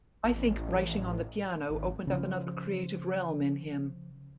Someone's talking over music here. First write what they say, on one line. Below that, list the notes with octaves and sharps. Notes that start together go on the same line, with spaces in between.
I think writing on the piano opened up another creative realm in him.
A1
G#1
C#3 F3